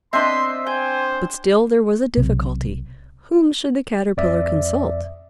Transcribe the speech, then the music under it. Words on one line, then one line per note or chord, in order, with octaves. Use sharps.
But still there was a difficulty--whom should the Caterpillar consult?
C4 D4 C5 D#5 E5 C6
C5 G5 G#5
B1 C3
F2 D5 E5